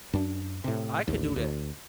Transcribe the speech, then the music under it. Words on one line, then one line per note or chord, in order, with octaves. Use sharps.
I could do that,
F#2 D4
A2 C3
A1 D#2
D2